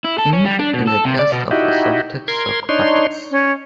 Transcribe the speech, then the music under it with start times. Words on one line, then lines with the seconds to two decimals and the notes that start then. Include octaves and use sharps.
King and a cast of assorted sock puppets.
0.05 E4
0.18 A4
0.33 C#4
0.45 G3
0.59 D4
0.74 B2
0.87 A4
1.05 C3
1.19 D5
1.32 B2
1.51 D#4 E4 F#4 G4
2.28 A#4 C6 G#6
2.69 D4 D#4 C#5 C6
3.31 C#4